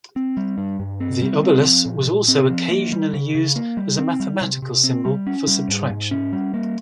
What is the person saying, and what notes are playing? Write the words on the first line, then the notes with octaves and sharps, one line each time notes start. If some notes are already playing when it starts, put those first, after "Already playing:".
The obelus was also occasionally used as a mathematical symbol for subtraction.
C4
G3
G2
G2
C4
G3
C4
F3
A#2
A#2
C4
F3
A#3
G3
C#3
C#3
A#3
G3
C4
G3
C3
C3
C4
G3
C#4
G3
G#2
G#2
C#4
G3
A#3